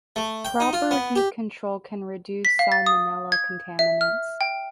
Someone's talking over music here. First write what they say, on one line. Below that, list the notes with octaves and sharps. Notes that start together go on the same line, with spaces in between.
Proper heat control can reduce salmonella contaminants.
A3
G5
D#4
F4
B3
G4
B6
F5
A6
D#6
G#6
E5
F6
G5